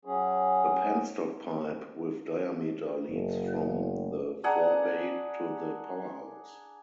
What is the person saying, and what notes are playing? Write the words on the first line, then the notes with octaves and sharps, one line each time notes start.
A penstock pipe with diameter leads from the forebay to the powerhouse.
F#3 C#4 G#4
F#1
D4 G#4 F#5 A#5